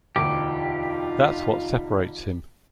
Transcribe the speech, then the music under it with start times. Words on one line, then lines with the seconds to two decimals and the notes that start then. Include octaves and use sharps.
That's what separates him.
0.16 E1 D2 D#4 F4 G4